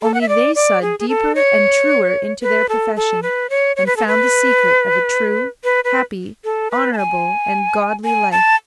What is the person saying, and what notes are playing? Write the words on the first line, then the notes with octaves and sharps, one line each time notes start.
Only they saw deeper and truer into their profession, and found the secret of a true, happy, honourable and godly life.
A4
F#5
E5
D5
D5
G#4
G#4
A4
C#5
B4
A4
A4
B4
C#5
C#5
B4
A4
B4
B4
B4
A4
B4
A5
G#5
G#5
A5